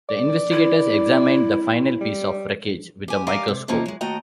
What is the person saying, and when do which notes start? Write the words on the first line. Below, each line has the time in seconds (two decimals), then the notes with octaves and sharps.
The investigators examined the final piece of wreckage with a microscope.
0.09 D5
0.52 E4
2.01 G3
3.08 G4 G#5
3.27 G4 A#4 D5 D#5 F5 G#5
3.48 C3
3.68 C3 F3 A#3 C#4 D#4
3.86 F#3 G#3
4.01 D#2 A3 F#4 D#5 G5 A#5